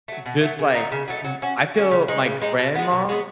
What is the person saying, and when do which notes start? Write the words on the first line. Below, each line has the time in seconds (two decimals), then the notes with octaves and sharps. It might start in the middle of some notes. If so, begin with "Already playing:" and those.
just like m I feel my grandma
0.08 F#3 A3
0.26 B2
0.41 F#3 A3
0.59 C#3
0.75 F#3 A3 D#4
0.92 C#3
1.08 F#3 A3 D#4
1.24 F#3
1.42 C#4 F#4
1.58 F#3
1.74 C#4 F#4
1.91 C#3
2.08 G#3 D#4
2.25 C#3
2.41 G#3 D#4
2.59 B2
2.75 G#3 B3
2.92 B2
3.09 G#3 B3